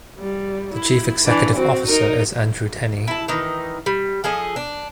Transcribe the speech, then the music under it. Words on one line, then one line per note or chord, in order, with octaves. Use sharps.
The Chief Executive Officer is Andrew Tenni.
G3
E4
E3 D4
C4 F#4
D#4 A#4
E4 A5
D#3 E3 D#4
G3
F3 G#4 A4 D#5
D4